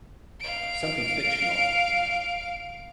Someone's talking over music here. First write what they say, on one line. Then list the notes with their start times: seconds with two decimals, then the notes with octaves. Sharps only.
uh, something fictional, you know.
0.41 F5 D7